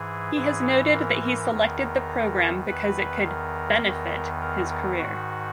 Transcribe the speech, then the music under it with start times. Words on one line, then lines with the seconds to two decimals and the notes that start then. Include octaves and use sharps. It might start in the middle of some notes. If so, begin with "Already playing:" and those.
He has noted that he selected the program because it could "benefit" his career.
Already playing: G#2 E3 G#4
0.34 G#2 E3
0.93 A#4
1.21 A#4
1.51 E2 D#3
2.67 E2 D#3 B4
3.25 A#4
3.84 E2 D#3
4.41 A#4
4.70 A#4
4.99 G#2 D#3 F#4